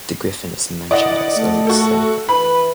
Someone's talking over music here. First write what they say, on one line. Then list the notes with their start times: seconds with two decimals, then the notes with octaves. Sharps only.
The griffon is mentioned as early as Xenophon.
0.91 D3 E4 D5 D#5 F#5
1.36 A3
1.67 F#4 A4
2.29 E3 E4 B4 B5